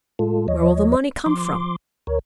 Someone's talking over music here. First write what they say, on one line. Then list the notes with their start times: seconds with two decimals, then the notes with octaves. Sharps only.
Where will the money come from?
0.19 A2 G#3 F4 A4
0.48 D#2 F3 C#5 D#5
1.26 F3 C6 D6
2.07 D2 A#4 C#5